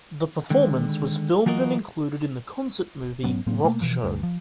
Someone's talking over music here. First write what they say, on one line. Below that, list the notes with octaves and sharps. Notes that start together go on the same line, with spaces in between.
The performance was filmed and included in the concert movie Rockshow.
D3 D#3 G#3
E3 F#3 F4 F#4 A#4 D#5
G#2 F#3 B3 C#4
A2 F#3 A#3 C4
B2 A3 A#3
B2 E3 F3
D2 G2
F3